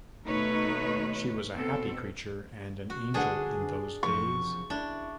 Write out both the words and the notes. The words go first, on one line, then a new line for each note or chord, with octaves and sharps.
She was a happy creature, and an angel, in those days.
D#2 B2 A3 D#4 B4 C#5
B2 C4 A4
F#4
D3 D4 G#4 B4 F#5
F#2 C3 F3 C#6
D4 E4